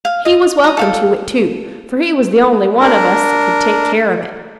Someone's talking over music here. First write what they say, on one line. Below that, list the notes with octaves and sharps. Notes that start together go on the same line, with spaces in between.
He was welcome to it too, for he was the only one of us that could take care of it.
F5
D#5 D#6
A#5 D#6
A4 F5 G5
D4 A#4